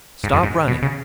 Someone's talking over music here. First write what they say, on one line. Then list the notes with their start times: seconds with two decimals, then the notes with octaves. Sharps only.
Stop running.
0.23 G#2
0.33 F#2
0.43 G#2
0.68 B2
0.82 C#3